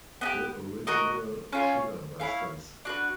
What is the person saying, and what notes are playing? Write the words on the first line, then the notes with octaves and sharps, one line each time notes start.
The original Sugar Busters!
B3 D#4 G4
F#4 A#4 D#5
C#4 F4 A4 C#5
E4 G#4 C#5 F5
D4 F#4 B4